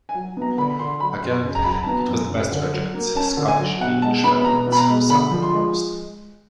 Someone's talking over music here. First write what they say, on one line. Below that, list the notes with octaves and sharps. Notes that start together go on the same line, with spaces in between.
Again, it was the best regiments, Scottish and English veterans, who suffered most.
G#5
F#3
B3 A#5
D3 B5
B5
D3 C6
F#3 B5
F#2 C6
C#3
A#5
F#3 B5
A#5
A5
B3 A#5
F#2
C#3
D3
F#3
A#3
C#4 A5
D3
G#5
F#3
B2 F#5
G#3 A5
B3 B5
B2 A#5
B2
B5
A#5
G#3
D3 B5
F3
C6
G#3